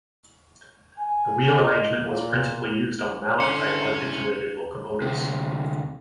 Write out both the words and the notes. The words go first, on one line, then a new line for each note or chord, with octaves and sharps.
The wheel arrangement was principally used on Mallet-type articulated locomotives.
G#5
D#5
A#2
G2 D3 C#4 E4 C5 C#7
D2 C3